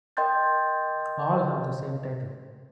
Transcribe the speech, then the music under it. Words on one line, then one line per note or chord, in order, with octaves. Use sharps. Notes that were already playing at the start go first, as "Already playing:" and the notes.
All have the same title.
A#4 D#5 G5 C6 G6 A6